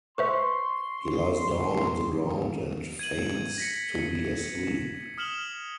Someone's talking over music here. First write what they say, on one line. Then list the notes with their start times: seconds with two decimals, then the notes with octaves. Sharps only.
He lies down on the ground and feigns to be asleep.
0.18 B4 C5 E5 C6 C#6
2.99 G#6 D#7 F#7
3.58 A#6 B6 C#7
3.98 C#7
5.18 D#6 F6 E7 F#7 G7